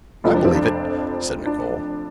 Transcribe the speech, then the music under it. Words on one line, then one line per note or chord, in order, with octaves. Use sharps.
"I believe it," said Nicholl.
F1 F2 F3 F4
D4
C4
D4
D4